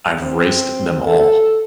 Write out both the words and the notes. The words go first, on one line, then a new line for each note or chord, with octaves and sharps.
I've raced them all.
C4
A4